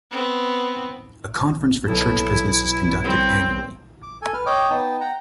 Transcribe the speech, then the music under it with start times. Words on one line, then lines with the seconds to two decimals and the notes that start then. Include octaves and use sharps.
A conference for church business is conducted annually.
0.11 B3 C4
1.87 B1 E4 A4
3.04 G3 C4 E7
4.03 D6
4.22 A4 G#5
4.34 B4 F6
4.46 C#5 D#5 G5 D6
4.70 B3 D#4 G5 A5
5.01 F#5 G5 A#5